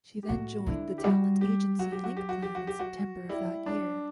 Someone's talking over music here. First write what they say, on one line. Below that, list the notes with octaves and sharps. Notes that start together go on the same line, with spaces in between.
She then joined the talent agency Link Plan in September of that year.
G4
A2 F#4
D3 E4
G4
G3 F#4
G4
F#3 F#4
G4
F#4
G4
F#4
G4
F#4
G4
F#4
G3 E4
D4